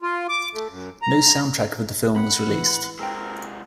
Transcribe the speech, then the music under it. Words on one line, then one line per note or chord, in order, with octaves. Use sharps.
No soundtrack of the film was released.
F4
D6
A3
F#2
A#5
C4 F#5 B5
E3 E4
C3 G#3 C4 A#4 G5 E6